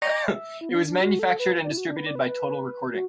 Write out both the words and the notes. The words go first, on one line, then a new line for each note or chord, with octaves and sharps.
It was manufactured and distributed by Total Recording.
E5
E4
B3
D4
D4
F#4
A4
B4
D5
E4
F#4
D4
B4
D5
B4
F#4